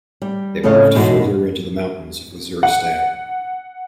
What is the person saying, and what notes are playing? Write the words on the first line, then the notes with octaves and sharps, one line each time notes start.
They moved further into the mountains of Waziristan.
G3
A2 C#3 A4 C#5 D#5 F5
E2 G#2 B2 G#3 F#4
F#5